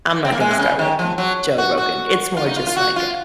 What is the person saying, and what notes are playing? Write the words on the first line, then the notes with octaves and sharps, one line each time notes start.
I'm not gonna start watching Joe Rogan, it's more just like a,
C4
A#3
G#3
C3
C#3
D#3
F3
F#3
F#4
F#4
F4
D#4
F4
F4
F#4
F4